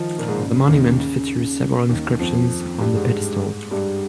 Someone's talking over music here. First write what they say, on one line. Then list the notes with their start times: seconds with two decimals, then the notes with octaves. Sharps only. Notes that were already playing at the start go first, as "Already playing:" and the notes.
The monument features several inscriptions on the pedestal.
Already playing: D#3 F3 D#4 F4
0.18 A#2 A#3
0.28 G#2 G#3
0.38 C#3
0.54 C#3
0.68 D#2 D#3
0.99 C#3
1.89 D#2 D#3
2.19 F2 F3
2.80 G2 G3
2.95 G#2 G#3
3.71 G2 G3